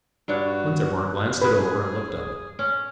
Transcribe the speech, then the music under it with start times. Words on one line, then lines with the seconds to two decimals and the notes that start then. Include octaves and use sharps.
Winterborne glanced it over and looked up.
0.28 G2 D4 F#4 C#5
1.42 G#4 B4
2.59 C#4